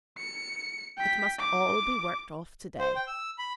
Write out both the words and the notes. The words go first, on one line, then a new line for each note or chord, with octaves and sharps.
It must all be worked off to-day.
C#7
G5 B6
D6
C5
G5
E6
B5